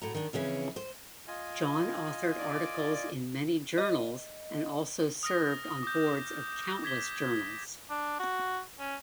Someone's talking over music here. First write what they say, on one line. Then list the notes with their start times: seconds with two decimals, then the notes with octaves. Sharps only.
John authored articles in many journals and also served on boards of countless journals.
0.02 A2 F#4 A#5
0.15 D#3 D4
0.33 F2 C#3 E3 C#4
0.76 C5
1.28 F4 D#5 G#5
2.39 D5
3.78 D#5
5.23 D#6 F6 A#6
5.83 D6 G6
6.83 D6 G#6 B6 G7
7.90 D4
8.20 F#4
8.79 C#4